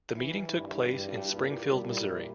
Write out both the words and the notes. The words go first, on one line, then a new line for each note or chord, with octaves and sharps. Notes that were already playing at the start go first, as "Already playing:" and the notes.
The meeting took place in Springfield, Missouri.
E3 E4
E4
G2 E4
E4
G2 G4
G4
A#2 E4
G4
G3
E4
E4